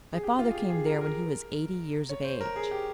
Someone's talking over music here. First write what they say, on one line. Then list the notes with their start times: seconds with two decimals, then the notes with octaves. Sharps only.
My father came there when he was eighty years of age.
0.13 G#4
0.23 G4
0.39 F4
0.50 G#4
0.55 G4
0.70 G#4
0.86 A#4
1.01 A#4
2.09 C#5
2.24 C5
2.41 A#4
2.56 G#4
2.71 G4